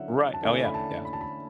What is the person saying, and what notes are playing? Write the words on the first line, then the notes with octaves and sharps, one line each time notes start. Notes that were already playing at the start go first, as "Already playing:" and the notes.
Right, oh yeah, yeah.
Already playing: D3 F#3 C#4 E4 E5 F#5
A5
D3 A3 C#4 E4 G#5
B5
A5
B5
A5
B5